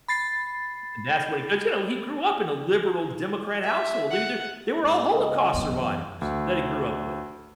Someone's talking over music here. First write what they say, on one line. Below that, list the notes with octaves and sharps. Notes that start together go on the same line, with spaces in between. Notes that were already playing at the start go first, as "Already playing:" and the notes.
That's what it because, you know, he grew up in a liberal democrat household, they were they were all holocaust survivors, that he grew up with.
B5 A6 C7
E5
F#5
G#2
C#2 D#5
F#2 E3 B3
D2